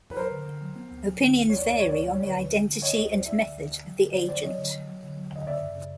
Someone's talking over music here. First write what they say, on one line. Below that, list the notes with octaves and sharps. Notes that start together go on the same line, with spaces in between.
Opinions vary on the identity and method of the agent.
B4
F#3 A#4 C5
D3
D3
F#3
B3
D2
F#3
D3
D2
D2 C#5
D5
D2 C#5
D5
D2 C#5
D5
D2 C#5
D5
G3 C#5
D5
D3 B4 C#5
D2
D3
D3
G3 C#5 D#5
D2 C#5 D#5
D2 C5 D5
D2 D5 E5
D3
D2
D3
F#3
D3
D3 C5 D5
F#3 C5 D5
F#3 C#5 D#5
D3
F#3
F#3
D3
F#3
D3 D#5
C#3 D5 E5
F#2
C#3